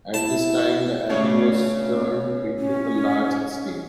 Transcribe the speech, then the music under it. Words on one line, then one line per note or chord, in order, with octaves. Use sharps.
At this time, the abbey was turned into a large estate.
E4 A5
C#3 A3 D4 G#4 C#5
C#4